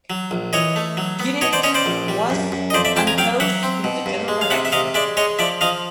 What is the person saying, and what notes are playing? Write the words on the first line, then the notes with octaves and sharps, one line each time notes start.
Giddings was unopposed in the general election.
F#3
A#1
E3 C#5 D#5
A3
F#3
B3
B2 C#5 D#5
C5 D5
C#4 C#5 D#5
C5 D5
A#1
G3
F#2
F#2
D#5
F2 C5 D5
D5 E5
F2 G5 A5
G#5 A#5
F#3 F5 G5
F#3 E5 F#5
C4
B2
G2
G#3
F5
C3 E5 F#5
E5
C3 D#5 F5
G#3 D5 E5
G#3 C#5 D#5
F3 D5 E5
F3 D#5 F5